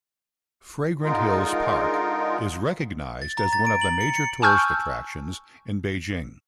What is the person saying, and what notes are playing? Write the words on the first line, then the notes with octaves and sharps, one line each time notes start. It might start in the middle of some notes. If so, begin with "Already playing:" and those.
Fragrant Hills Park is recognized as one of the major tourist attractions in Beijing.
D3 G#3 D#4 F4 A#4
A6
A#5
A6
D7
F#7
C#7
C#7
G#5 A5 C#6 E6 F6 G6